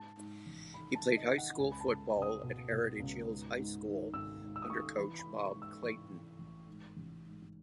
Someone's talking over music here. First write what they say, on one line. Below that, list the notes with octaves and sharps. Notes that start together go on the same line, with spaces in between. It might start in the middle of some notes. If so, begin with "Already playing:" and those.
He played high school football at Heritage Hills High School under Coach Bob Clayton.
Already playing: G#2 A5
G#2
A1
D#3 B5
A5
D#3
D#5
D#3
F#5
C#2 G#5
B5
A5
C#2
C#2
D#6
B2
B2
C#2
G#2
G#2
D#3
G#1 E6
G#2
E6
D#6
D#3 C#6
D#6
E3 B5
B5
G#2
C#6
G#2
E6
E3 C#6
E3
A1
G#2
A1
G#2